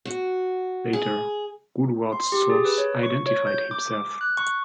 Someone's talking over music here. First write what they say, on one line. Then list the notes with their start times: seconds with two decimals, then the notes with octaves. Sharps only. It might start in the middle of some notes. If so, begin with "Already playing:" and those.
Later, Woodward's source identified himself.
0.05 F#4
0.93 G#4
2.12 C6
2.32 G4
2.50 G#4
2.65 B4
2.78 C#5
3.03 C#6
3.26 C#5
3.47 G6
3.71 D6
3.88 D6
4.21 F#6
4.37 C#6